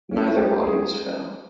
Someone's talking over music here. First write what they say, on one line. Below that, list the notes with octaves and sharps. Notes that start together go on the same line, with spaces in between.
Neither body was found.
C#4
G4
G#4